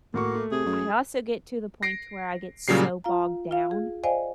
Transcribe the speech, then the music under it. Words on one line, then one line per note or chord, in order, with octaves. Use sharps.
I also get to the point to where I get so bogged down
A2 A#3 F#4 C#6
A3
C3 G#4
F#2
A#6 C7 D7
A#2 C#3 F#3 G3 C7
F4 F5 A#5
F4 F5
G#4
C5 D5 D#5 F5 G5 G#5